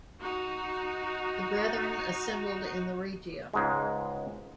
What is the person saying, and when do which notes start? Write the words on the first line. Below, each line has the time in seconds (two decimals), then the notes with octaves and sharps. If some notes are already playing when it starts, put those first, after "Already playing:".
The Brethren assembled in the Regia.
0.20 D#4 F#4
3.54 C#2 G#2 G#3